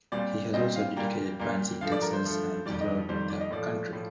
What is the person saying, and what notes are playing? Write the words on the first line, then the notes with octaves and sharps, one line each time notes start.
He has also adjudicated bands in Texas and throughout the country.
A#2 G3 C4 D5
A#2 G3 C4 D#5
F5
A#2 G3 A#3 G5
A#2 G3 A#3
G2 F3 A3 F5
D5
A#4
C5
G2 F3 A3
F2 D#3 G3 D5
D#5
F2 D#3 G3 C5
D5
D#5
A2 F3 A3 D5
A2 F3